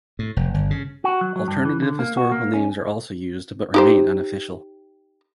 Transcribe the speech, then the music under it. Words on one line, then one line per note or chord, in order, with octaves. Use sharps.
Alternative historical names are also used, but remain unofficial.
A2
F1
G1
C#3
F#4
F#3
F#3
G2
E3
D3
A#3
F#4
A#3
C#4
D#4 G4 C5